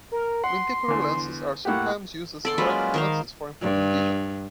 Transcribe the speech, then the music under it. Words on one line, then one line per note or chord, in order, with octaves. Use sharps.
Lenticular lenses are sometimes used as corrective lenses for improving vision.
A#4
F#5 C6
E2 D3
A2 A#3 G4 F#5
E2 D3 A4 D5 C6
F#3 G#3 A#3 C#4 F4 B4
D#3 C5 F5
G2